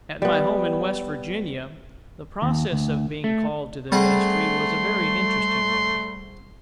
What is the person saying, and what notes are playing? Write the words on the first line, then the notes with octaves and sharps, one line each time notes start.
At my home in West Virginia the process of being called to the ministry was a very interesting one.
G3 B3
D#2
D2
A3
G3 A3 C4 G#4 F#5 C6